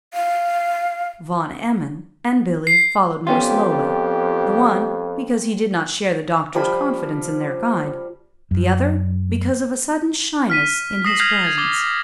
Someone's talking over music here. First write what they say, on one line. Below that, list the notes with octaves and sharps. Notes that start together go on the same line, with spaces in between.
Van Emmon and Billie followed more slowly; the one, because he did not share the doctor's confidence in their guide; the other, because of a sudden shyness in his presence.
F5
C7
F2 B3 C#4 F4 G4 B4 G5 C6
F3 G3 B5
F#2
F6 B6 D#7
D#6 F6 A#6 C7 E7 F#7
F6 G6 G#6 A#6 C7 F7
G#6 A6
D6 A6 G7